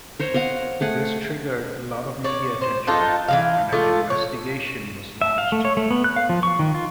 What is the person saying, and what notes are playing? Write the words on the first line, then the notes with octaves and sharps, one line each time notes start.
This triggered a lot of media attention and an investigation was launched.
A#4 C5 C#5
A#4 D#5 F5 F#5
A3 G#4 F#5
C#5 D5
C5
D4 D#4 F4 A4
E3 G#3 F5
A3 D4 F4 D#5
C#5
E5
F5
A3
C#5
A3
B3
F#6
F5
F3
C#6
D#3
F4